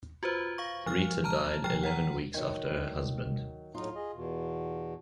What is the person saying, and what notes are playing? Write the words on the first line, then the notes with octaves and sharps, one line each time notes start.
Rita died eleven weeks after her husband.
F4 F#4 B4 C5
F5 C#6
F3 F6
A5 A#5 F6
F3 G5 F6
F#5 A#5
D#3 F#3
A2 F#3 D#4 F4
G#4 D#5
E2 B2